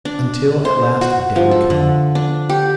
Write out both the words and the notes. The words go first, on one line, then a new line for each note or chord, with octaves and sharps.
Until at last a day would come....
D4
C5
F#4
F3
A4
D3
D4
G4